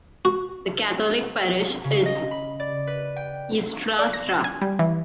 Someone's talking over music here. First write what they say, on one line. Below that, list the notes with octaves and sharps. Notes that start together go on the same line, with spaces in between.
The Catholic Parish is Nuestra Sra.
F#4
C#3
D#5
B5
D5
B4
G5
D5
A#6
G#5
G3
E3